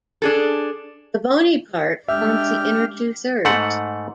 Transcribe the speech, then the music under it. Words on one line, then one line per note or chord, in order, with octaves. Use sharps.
The bony part forms the inner two thirds.
D4 G#4 A4
G#3 D4 G4 E5 F6
G#2 A3 F#5